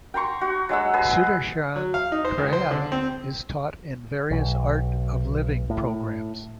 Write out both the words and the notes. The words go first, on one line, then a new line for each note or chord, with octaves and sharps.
Sudarshan Kriya is taught in various Art of Living programs.
G5 A#5 C6 C#6
F#4
F#3 G#3 F#5 E6
G#4 B4
F#3
F5
D#4
C5
C#2
C5
D3
C4
B1
A2